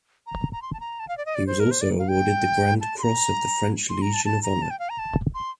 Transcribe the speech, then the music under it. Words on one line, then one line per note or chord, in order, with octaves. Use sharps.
He was also awarded the Grand Cross of the French Legion of Honour.
A#5
A#5
C6
A5
A#5
A5
F5
D5
D#5
D5
C5
A#4
C5
D5
F5
G5
A5
C6
A#5
C6
A#5
A5
A5
A#5
A5
G5
F5
A#5
A5
C6